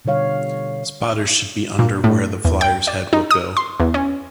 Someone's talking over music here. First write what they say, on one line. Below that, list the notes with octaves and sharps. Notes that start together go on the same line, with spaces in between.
Spotters should be under where the flyer's head will go.
B2 D3 G3 C#5 F5
A#2
A2
E2
G5
D5
D#4
D#6
C6
E2
C#4